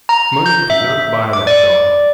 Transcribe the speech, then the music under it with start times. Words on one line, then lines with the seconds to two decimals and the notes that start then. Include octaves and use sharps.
Money could not buy that dog.
0.09 A#5
0.46 G6
0.70 E5
1.33 D6
1.47 D5